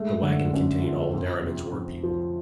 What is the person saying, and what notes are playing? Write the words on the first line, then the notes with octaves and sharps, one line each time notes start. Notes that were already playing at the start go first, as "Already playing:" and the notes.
The waggon contained all Derriman's workpeople.
Already playing: G#3 A3
D3
F#2
F3
F2
C3
F2
F3